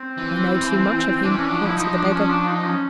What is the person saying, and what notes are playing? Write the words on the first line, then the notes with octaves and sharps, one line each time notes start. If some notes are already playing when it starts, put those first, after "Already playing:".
"I know too much of him," answered the beggar.
Already playing: C4
E3
E3 D4
C#4
F3 D4
E4
F3 D#4
D4
C#4
D4
D#4
C#4